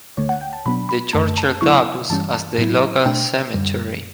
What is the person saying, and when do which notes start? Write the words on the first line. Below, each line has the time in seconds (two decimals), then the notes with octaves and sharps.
The churchyard doubles as the local cemetery.
0.17 D2 D3 A3 C#5
0.29 F#5
0.41 G5
0.53 A5
0.66 B2 F#3 B3 D4 B5
0.89 B5
1.13 F#2 D3 A3 A5
1.37 A5
1.61 C#3 F#3 B3 E4 C#6
2.10 G2 E3 G3 C#4 A5
2.33 A5
2.58 A2 F#3 B3 E4
3.06 B2 A3 D4 G5
3.54 F#2 D3 G3